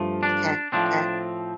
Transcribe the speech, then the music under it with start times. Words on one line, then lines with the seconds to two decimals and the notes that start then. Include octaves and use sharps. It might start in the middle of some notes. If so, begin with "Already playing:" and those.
Okay. Okay.
Already playing: G2 F3 A3
0.23 D4
0.72 A2 F3 C4 D4